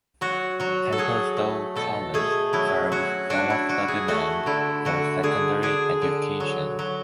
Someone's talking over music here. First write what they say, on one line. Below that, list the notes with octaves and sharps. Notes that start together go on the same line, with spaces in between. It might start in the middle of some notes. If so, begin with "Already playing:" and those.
Templestowe College serves some of the demand for secondary education.
F#3 F#4
F#3 F#4
A4
F#3 G#4
A3
B2 A4
A3 G#4
F#3 E4
C#4 F#4
D4 F#4
E4
D4 F#4
G#4
A3 F#4
D3 E4
D3 F#4
D3 G#4
D4 G#4
D3
F#3
F#3